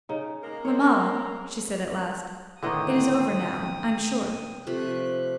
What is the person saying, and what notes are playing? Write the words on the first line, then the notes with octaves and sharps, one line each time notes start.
"Mamma," she said at last, "it is over now, I'm sure."
C#3 D#4
G#3 A#3 A#4
C5 C#5
A2 D3 D#3 B3 D#5 G5 D#6
C3 F3 A3 F#6